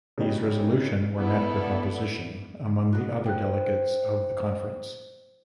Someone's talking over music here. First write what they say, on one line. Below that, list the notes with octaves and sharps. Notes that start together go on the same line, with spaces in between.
These resolution were met with opposition among the other delegates of the conference.
C#3 F#3 G3 B3 D#4 G4
B3 E4 A4 D5
B2 G#3 F4 F#6
F3 G5 F#6